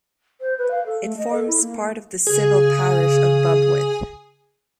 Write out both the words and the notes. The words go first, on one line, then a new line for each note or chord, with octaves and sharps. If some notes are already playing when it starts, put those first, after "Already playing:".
It forms part of the civil parish of Bubwith.
C5
B4
F5
A4
A3
D#5
A4
E4
A#3
C#3 G#4